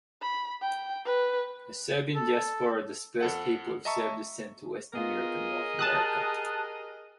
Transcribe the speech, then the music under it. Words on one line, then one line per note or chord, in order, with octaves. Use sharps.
A Serbian diaspora dispersed people of Serb descent to Western Europe and North America.
B5
G5
B4
A4
F2 A4 F#5
D#5 E5 A5 A#5 C#6 E6
B3 F4 G#4 A#4 D#5
G4 A5 D#6 F#6